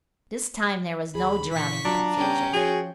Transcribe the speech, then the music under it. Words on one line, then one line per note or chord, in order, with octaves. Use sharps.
This time there was no drowning the confusion.
D#2 G#4 B5
A#2 E3 C#6 B6
F#3 D4 F4 A#5
G3 B3 C#4 G5
F3 F#4 G#4 C#5